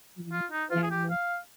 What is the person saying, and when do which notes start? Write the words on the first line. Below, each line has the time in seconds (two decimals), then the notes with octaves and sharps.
Mm. Yeah.
0.32 F4
0.51 D#4
0.71 F4
0.83 G#4
0.91 G4
1.10 F5